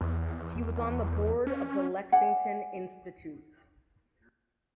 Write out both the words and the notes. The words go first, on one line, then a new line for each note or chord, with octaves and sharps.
He was on the board of the Lexington Institute.
E2
C#4
D5 F#5 G#5